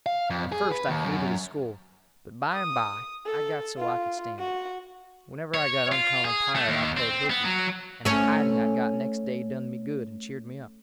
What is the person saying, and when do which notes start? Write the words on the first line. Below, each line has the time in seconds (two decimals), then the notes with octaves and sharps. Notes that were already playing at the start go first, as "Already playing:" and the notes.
At first I hated the school, but by and by I got so I could stand it. Whenever I got uncommon tired I played hookey, and the hiding I got next day done me good and cheered me up.
0.06 F5
0.30 F2
0.52 G#4
0.72 B4
0.87 D#2
1.06 F#2
2.52 D#6
3.26 A4
3.78 F4
4.39 F#4
5.54 C#5
5.92 F4
6.25 G#4
6.56 A3
6.68 D#2
6.97 C4
7.30 B3
7.45 F#3
8.05 A3 C#4